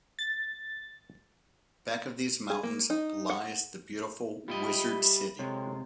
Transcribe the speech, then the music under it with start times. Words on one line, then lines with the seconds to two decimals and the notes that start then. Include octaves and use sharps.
Back of these mountains lies the beautiful Wizard City.
0.19 A6
2.50 G#4
2.63 A#3
2.90 D#4
3.30 F#5
4.48 G3 E4 F4 G4 D#5
5.39 C3 G#3 C4 A4 C#5